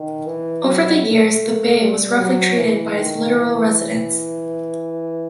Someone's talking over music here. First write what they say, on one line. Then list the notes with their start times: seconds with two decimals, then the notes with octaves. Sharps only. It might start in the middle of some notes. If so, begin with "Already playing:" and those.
Over the years, the bay was roughly treated by its littoral residents.
Already playing: D#3
0.26 E3
0.64 F#3
1.03 A3
1.80 G3
2.19 F#3
2.58 E3
2.96 D#3
3.35 E3